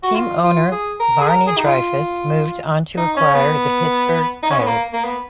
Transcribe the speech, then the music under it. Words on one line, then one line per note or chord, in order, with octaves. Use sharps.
Team owner Barney Dreyfuss moved on to acquire the Pittsburgh Pirates.
F#4
F4
F4
G#4
A#4
G#4
A#4
G#4
D#4
F4
D#4
C#4
B3
D#4
C#4
B3
A#3
A#3
B3